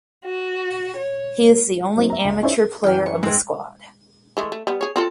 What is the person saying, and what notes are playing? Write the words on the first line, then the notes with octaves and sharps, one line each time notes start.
He is the only amateur player of the squad.
F#4
C#5
F#3 C4 D#4
E5 A#5
C#2
C#4 D#4 E4 C5 D5 E5
F#2 E3 G5 F6
C#6
G#2 G#3 C4 G5
E3 G#3 A3
A3
G3 B3
G#4 C#5
C4 F4 A4